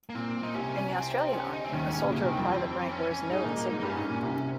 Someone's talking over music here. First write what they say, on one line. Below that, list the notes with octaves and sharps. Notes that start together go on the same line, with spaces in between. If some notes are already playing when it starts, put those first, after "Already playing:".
In the Australian Army, a soldier of private rank wears no insignia.
A#3
A#2 C4
A#2
A#2 D#4
C2 C3 C#4
C4
C#4
D#4
C4
D#2 D#3 C#4
G#2
C#4
A#2
C#3
C2 C3 A#3
D#2 D#3
C4
F2 F3
C#4
C#4
G#2 G#3 D#4
A#2 A#3
A#2 A#3
G#2 G#3 D#4
G2 G3 D#4
C#4
G#2
A#2
C2 C3
C3